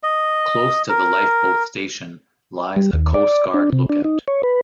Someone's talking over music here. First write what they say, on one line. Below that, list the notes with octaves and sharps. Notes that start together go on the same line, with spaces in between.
Close to the lifeboat station lies a coastguard lookout.
D#5
A#4
G3
D#2
D5
D4
C3
D4
D#4
C#5
B4